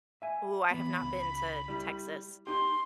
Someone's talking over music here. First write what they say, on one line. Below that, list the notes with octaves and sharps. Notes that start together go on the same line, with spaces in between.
Ooh, I have not been to Texas.
E5 G#5
E3 B3 B5
C#2
G3 E4
D#4 G4 C6